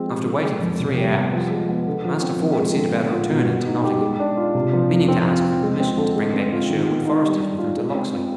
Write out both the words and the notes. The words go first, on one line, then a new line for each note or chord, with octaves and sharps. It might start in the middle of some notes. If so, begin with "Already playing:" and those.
After waiting for three hours, Master Ford set about a return into Nottingham, meaning to ask for permission to bring back the Sherwood foresters with him to Locksley.
Already playing: F3 G#3 C4
G4
D3
G#3
F2
C3
G3
B3
F3
G#3
B3
D3
F3
C4
F3
G#3
D3
B3
F4
B2
B3
D#4
G4
G#3
D4
F4
C3
F3
F2
C4
F4
F3
G#3
C4
D3
G#3
C4
F4
D#3
B3
D#4
G3
D4
F4
G#3
C4
F4